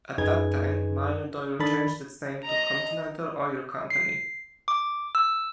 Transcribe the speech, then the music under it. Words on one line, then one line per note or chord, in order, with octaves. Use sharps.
At that time, Marland Oil changed its name to Continental Oil Company.
F#2 D#4 G#4 B4 G#6
D#3 D4 A4 B5 A6
D#5 A#5
C7
D6
E6